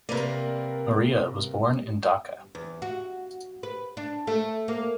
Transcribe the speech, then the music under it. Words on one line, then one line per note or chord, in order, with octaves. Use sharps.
Maria was born in Dhaka.
C3 A#3 A#4 B4 D5
E2
F#4
B4
D4
A3
A#3